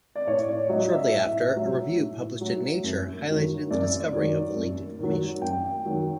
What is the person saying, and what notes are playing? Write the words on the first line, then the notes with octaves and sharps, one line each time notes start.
Shortly after, a review published in "Nature" highlighted the discovery of the leaked information.
D5
A2 C#5
D5
F#3 D#5
E5
A2 E5
F#3
A2
F#3
F#2
D#3 F#3
F#2 D5
D#3 F#3
F#2
D#3 F#3
F#2 G5
D#3 F#3